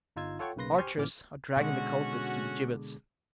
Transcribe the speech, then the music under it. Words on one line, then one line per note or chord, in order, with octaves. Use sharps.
The archers are dragging the culprits to the gibbets.
G1 D#4 F4 E6 G#6
F4 A4 C#5 F#5 G5 C#6
B1 C#3 A#3 B4 C6 A#6
G4 C5 G#5 C6 C#6 F6
A1 A#2 E3 C#4 D6 F6
B2 D3 G#3 C#4 F#4